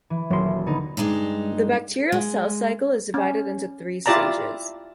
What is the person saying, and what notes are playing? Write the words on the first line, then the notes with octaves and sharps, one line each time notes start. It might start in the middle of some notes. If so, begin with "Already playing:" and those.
The bacterial cell cycle is divided into three stages.
E3
D#1 F#3 C6
D3 B3 D#4
G2 G#3 D4 D#4
G#3
C#4
E4 F4 G4 D5 A5 A#5